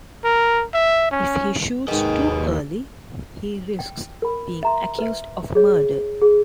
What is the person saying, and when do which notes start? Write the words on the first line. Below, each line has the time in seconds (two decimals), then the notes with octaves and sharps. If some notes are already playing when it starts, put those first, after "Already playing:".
If he shoots too early, he risks being accused of murder.
0.24 A#4
0.74 E5
1.12 C#4
1.88 D#2 G#2 D#4 G4 G#4 A#4 B4 D#5
3.79 G5
4.22 A#4 B5
4.63 E5 A#5 C6
4.99 B4 E5
5.55 G#4 C#5
6.22 G#4